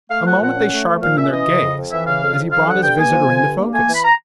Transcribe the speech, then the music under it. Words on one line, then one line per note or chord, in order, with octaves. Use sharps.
A moment they sharpened in their gaze as he brought his visitor into focus.
A3 F5
F3 F#5
A#2 F#5
C#4
A3
F3
A#2 F5
C#4 E5
E3 D#5
C#3
F2
F2
E3 E5
C#3 F5
F2
F2
F3 F5
D3 F#5
G2 G5
A#3 G#5
F3
D3
G2
A#3
A3 G#5
E3 B5
A#5